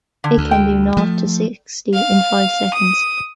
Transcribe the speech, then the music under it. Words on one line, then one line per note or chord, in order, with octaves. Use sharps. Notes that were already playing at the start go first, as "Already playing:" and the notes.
It can do nought to sixty in five seconds.
D3
D2
G5
F3 A3
F5
D#6